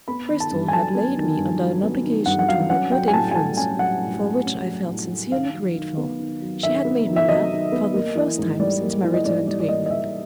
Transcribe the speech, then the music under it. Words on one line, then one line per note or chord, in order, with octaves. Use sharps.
Cristel had laid me under an obligation to her good influence for which I felt sincerely grateful--she had made me laugh, for the first time since my return to England.
B3 B5
D#3
A5
G2
G#5
F#3 A5
B3
D#3
G2
F#3
B3
D#3
G2 F#5
F#5
F#3 F5
C#4 F#5
F#3 G5
G#5
A2 A5
G#5
A3 A5
C#4 G#5
F#3 F#5
A2
A3
C#4
F#3
A2
A3
D#3 F5
F#3
D#3
B3
D#3
F#3
D#3 E5
B3
D#3
E5
F#3 D#5
D#3
B3
A#3
E3
G#2
G3 D5
A#3
E3
D#5
G#2 D5
G3 D5
D5
A#3 D#5
D#5
E3 E5